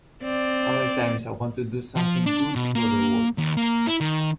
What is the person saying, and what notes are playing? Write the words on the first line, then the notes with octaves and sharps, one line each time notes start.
Other times I want to do something good for the world.
C4 D5
F3
D4
B2
A#3
D#2
A#3
E4
D#3